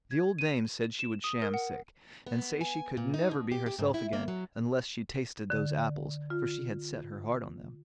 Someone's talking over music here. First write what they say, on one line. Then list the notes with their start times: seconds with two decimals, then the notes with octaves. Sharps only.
The old dame said she would sham sick, and say she could never be herself again unless she tasted those apples; for she had set her heart on them.
0.11 G#6
0.38 D#7
0.99 E7
1.24 D#6
1.42 A#4
1.54 F#5
2.27 B3
2.61 G#5
2.97 A#2
3.14 D#4
3.31 B2
3.52 G4
3.66 G4
3.79 G#2
3.94 E4
4.13 A#3
4.28 F#3
5.50 D3
6.30 F4